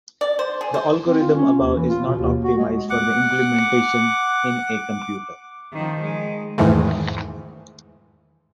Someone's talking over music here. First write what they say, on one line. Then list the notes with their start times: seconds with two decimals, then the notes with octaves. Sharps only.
The algorithm above is not optimized for the implementation in a computer.
0.21 D5
0.39 C5
0.61 G#4
0.74 C5
1.06 C4
1.21 F4
1.35 C#4
1.60 D#2
1.76 E3
1.90 F4
2.06 B2
2.18 D#2
2.44 F#4
2.58 G#3
2.90 F#5 D6
5.73 D#3 F3
6.01 G#3
6.58 E2 G#2 D#3 E3 G#3 A3